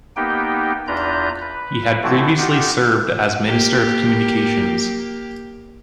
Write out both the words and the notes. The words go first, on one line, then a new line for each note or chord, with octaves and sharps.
He had previously served as Minister of Communications.
A#3 B3 D#4 G4 G5
E2 D4 F4 B4 A#5 G6
B4
B2 E3 A3 C4 E4 F#4
D#4 F4 G4 F#5 D6
A#3 G4